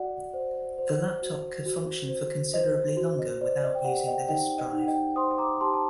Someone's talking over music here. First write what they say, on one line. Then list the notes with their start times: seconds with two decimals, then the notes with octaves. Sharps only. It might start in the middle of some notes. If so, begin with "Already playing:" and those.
The laptop could function for considerably longer without using the disk drive.
Already playing: F#4 D5 F#5
0.34 C5
0.78 C5
1.22 F#4
1.66 F#4
2.09 C5
2.54 C5 D#5
2.75 D#5
2.97 F#4
3.19 D#5
3.41 C5 D5
3.58 D5
3.64 D#5
3.75 G5
3.84 G4 D5 F#5
4.00 F#5
4.07 D#5 G5
4.28 D#4 D#5 G5
4.58 D#5
4.73 D#4
4.82 F#5
4.87 D#5 G5
5.16 C5 C6 D#6
5.31 D#6
5.38 A#5 D6
5.61 G4 A5 C6
5.74 A5